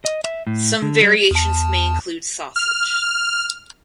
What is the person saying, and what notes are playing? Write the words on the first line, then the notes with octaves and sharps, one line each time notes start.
Some variations may include sausage.
D#5
E5
A2
D3
G3
E2 A5
F6